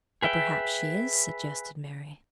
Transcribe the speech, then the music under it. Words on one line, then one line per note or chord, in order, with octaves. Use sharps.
"But perhaps she is," suggested Mary.
G#4 B4 E5 G5